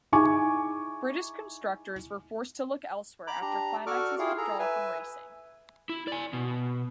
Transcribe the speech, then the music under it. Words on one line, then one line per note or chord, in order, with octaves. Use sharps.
British constructors were forced to look elsewhere after Climax's withdrawal from racing.
D#4 E4 G#4 G#5 C#6 D6
A#5 B5 D6
D4 G4 A#5
F#4 A4 D5 C#6 D6 F6
E4 F4 G4 G#4 F5
G#4 A4 A#5
B4 E5 G#5
E4
D5 G#5
B2